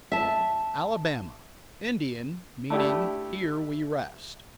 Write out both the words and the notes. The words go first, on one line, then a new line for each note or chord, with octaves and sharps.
Alabama--Indian; meaning "Here we rest."
E5 A5
A3 D4 E4 G4